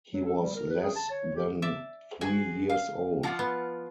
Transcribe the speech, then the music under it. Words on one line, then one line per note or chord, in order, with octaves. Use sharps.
He was less than three years old.
F#3
A4
G3
A#4
B4
G#4
A5
C#5
G4
D5 E5
F#4 G#4 G#5
F5
F3 F4 D5 F#5 A#5
B3